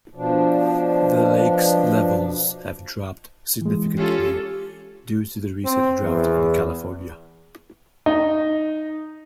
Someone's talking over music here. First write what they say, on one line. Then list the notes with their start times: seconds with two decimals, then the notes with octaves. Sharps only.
The Lakes levels have dropped significantly due to the recent drought in California.
0.15 B2 F3 D4
3.61 E3 G#3
3.96 C#4 F4 G4 A4
5.65 C4
6.02 E2
8.06 D#4